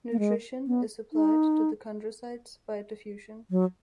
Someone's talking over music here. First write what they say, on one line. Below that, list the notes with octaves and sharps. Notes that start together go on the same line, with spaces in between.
Nutrition is supplied to the chondrocytes by diffusion.
A#3
G#3
B3
D#4
F#3